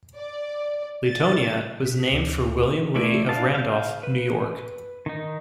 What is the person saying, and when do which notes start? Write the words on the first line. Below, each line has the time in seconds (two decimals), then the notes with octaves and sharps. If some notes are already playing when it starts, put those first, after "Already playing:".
Leetonia was named for William Lee of Randolph, New York.
0.16 D5
1.06 A6
1.85 B2
2.12 D2
2.95 A3 E4 D5
3.29 D4 F5 A5
3.55 F5 G6
4.03 B4
5.06 D#3 D#4